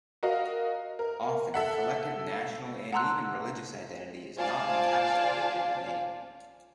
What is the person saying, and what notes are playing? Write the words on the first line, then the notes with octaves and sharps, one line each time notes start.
Often, collective national and even religious identity is not encapsulated in a name.
F#4 A#4 D#5 F5
A#4
A4 E5 F#5
F#5 A5 A#5 C6 E6 F#6
F4 C5 D5 F5 G#5 A5